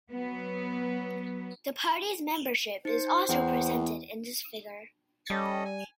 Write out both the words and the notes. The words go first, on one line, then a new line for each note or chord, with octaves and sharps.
The party's membership is also presented in this figure.
F#3 B3
D#4 C5 C#7
E2 E4 F#5 G5
G3 C#4 A4 D#5
G#5